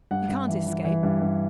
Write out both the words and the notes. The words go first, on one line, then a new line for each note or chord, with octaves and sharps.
You can't escape.
G2 F#5
G2
E3
E3
E3
G2
G2